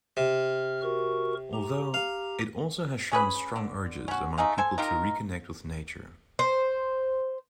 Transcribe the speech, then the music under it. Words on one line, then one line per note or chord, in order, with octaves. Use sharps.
Although, it also has shown strong urges among people to reconnect with nature.
C3 F6
F#4 A#4 C#6
G4 A#5
F5
C#4 G#4 B4 B5
D3
C#4 F#4
A3 D#4 G#4 F5
A4 C5 G#5
D#4 F4 G4 A#4
C5